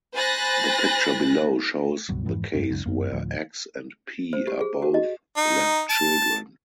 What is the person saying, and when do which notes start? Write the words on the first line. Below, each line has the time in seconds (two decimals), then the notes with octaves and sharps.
The picture below shows the case where "x" and "p" are both left children.
0.15 C5 G#5 B5 F#6 A6 A#6
2.09 C#2 G2 B2 F#3
2.25 F2 G#2 E3
2.54 F1 G2 C3 C#4
2.71 C#2 F#2
2.86 G1 F#2 A#3
3.12 D2 A2 F3
4.33 C5
4.47 G4
4.61 G#4
4.82 F#4
4.94 D#5
5.37 D#4
5.90 A5